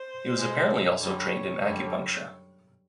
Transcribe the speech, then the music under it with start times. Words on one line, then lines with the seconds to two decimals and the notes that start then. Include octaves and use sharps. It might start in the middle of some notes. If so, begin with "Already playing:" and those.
He was apparently also trained in acupuncture.
Already playing: C5
0.34 B2 G#3
1.00 F#2 D3 G3 C#5
1.66 F#2 D3 G3